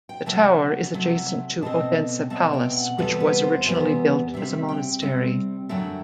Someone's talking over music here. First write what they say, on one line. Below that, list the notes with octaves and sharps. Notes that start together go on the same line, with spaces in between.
The tower is adjacent to Odense Palace which was originally built as a monastery.
G5
C3 F#3 A3 A5
C3 F#3 A3
B2 A3 C4 A5
B2 A3 C4 A5
G5
F#5
E2 C3 G3 B3 A4
B4
C5
E2 C3 G3 B3 C5
C3 G3 C4 E5
G5
C3 G3 C4
F#2 D3 F#3 A3 G5